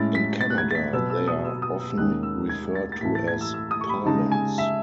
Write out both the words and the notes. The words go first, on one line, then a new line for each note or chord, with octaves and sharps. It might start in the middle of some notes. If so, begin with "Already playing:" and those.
In Canada they are often referred to as pylons.
Already playing: A2 G#3 C#4 E4 A6
B6
A6
F#6
G#6
A6
B6
B2 F#3 B3 E6
E6
D#6
E6
D#6
E6
E6
D#2 D#3 G#3 C#4 F#6
E6
G#6
A6
A6
A2 E3 A3 E4 B6
A6
G#6
E6
E6
D#6
C#6
B5
C#3 G#3 D#4 A5
G#5
E5